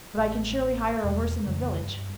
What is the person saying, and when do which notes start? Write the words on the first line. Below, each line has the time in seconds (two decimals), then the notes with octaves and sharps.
"But I can surely hire a horse in the village?"
0.17 A1
1.03 E2 B2
1.45 F2 C#3 E3
1.78 G2